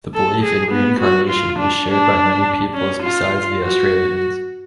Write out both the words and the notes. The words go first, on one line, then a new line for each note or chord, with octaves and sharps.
The belief in reincarnation is shared by many peoples besides the Australians.
A4
G#4
B3
F#4
F4
D4
D4
C#4
F4
F#4